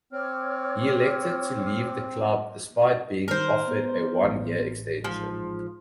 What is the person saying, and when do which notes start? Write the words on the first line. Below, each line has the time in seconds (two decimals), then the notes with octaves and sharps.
He elected to leave the club despite being offered a one-year extension.
0.12 C4 C#5 D6 F6
3.28 D#3 A#4 C5
3.68 B3
4.24 A1
5.04 G#2 F3